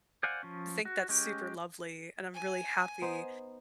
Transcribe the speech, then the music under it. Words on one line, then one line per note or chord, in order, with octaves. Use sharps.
think that's super lovely, and I'm really happy,
C5 D5 F5 F#5 G#5
F3 C#4
F#4
G#3 C#4 G4
G#5
B3 D#4 C5